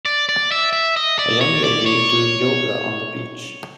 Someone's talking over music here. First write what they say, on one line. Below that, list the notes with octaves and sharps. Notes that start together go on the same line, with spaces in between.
A young lady doing yoga on the beach.
D5
D5
E5
E5
D#5
D5
C#5
D5
C#5